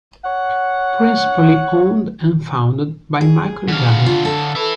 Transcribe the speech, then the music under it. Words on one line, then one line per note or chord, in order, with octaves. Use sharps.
Principally owned and founded by Michael Gaughan.
C#5 F#5
G#4
D3 F5
F4
A4
B4 E5